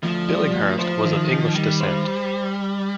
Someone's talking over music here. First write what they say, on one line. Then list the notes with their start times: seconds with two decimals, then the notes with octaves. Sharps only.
Billinghurst was of English descent.
0.03 D2 F3
0.28 G3
0.54 D2
0.79 F3 C5
1.04 D#3
1.30 D#3
1.55 D#3 G3
1.81 C5